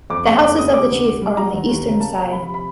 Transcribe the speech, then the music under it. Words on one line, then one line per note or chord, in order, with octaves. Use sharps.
The houses of the chief are on the eastern side.
F2 D6
F#1 C#6
F#1 D6
F#1 D#6
C3 D6
D2
C3
G3
F#3 A#5
D#2
D#2
C#3
A#3 A5
C3 A#5
F3 B5
B5
C3
B5